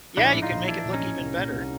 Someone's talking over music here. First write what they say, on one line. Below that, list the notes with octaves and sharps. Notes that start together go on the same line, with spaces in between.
Yeah, you could make it look even better.
A#1 D4 E4
A2
D#4 F4
A#1
E3 D4 E4
A#1
C#4 D#4
A2
C2
A#2
C2